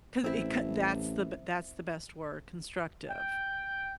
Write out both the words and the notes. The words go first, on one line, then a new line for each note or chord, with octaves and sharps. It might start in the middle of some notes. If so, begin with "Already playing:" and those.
Co it, c that's the b that's the best word, constructive,
A1 C4 E4
G5